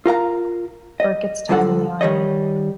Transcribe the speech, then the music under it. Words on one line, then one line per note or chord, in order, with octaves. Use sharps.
Burkett's time in the Army.
F4 A#4 F5 A#5
D#5
D2 G2 D3 F3 A4 F#5
D#3 G3 C#5 D#5